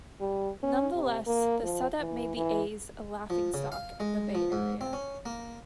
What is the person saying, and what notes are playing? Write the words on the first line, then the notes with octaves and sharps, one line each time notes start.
Nonetheless, the setup made the A's a laughingstock in the Bay Area.
G3
C#4
C3
A#3
F3
E3
E3
F3
C#3
F5
G#3
F3
G#2
C4
C#4
A#3